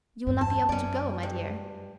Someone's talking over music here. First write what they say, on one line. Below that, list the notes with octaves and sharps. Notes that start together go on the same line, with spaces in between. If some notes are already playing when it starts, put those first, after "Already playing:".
"You will not be able to go, my dear."
E2 G2
A5
F#2 C#4 D5
G2